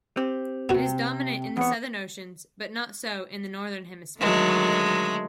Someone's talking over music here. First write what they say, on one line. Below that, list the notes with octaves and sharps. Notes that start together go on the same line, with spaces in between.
It is dominant in the Southern Oceans, but not so in the Northern Hemisphere.
C4 G4
C3 B3 F#4
E2 B3 C#5
D3 D#3 F#3 G#3 A3